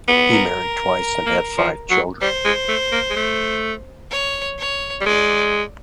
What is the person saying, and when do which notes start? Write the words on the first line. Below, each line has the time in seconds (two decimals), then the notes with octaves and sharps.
He married twice, and had five children.
0.08 B3
0.31 A#4
1.26 A#3
1.58 F3
1.90 F#3
2.21 G3 C5
2.45 G#3
2.69 A3
2.92 A#3
3.10 G#3
3.16 A3
4.11 C#5
4.59 C#5
5.01 G3
5.06 G#3 D5